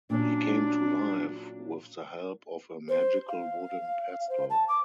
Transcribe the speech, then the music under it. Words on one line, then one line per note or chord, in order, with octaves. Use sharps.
He came to life with the help of a magical wooden pestle.
A#2 F#3 C#4 D4
C5
F5
C5
A5
D6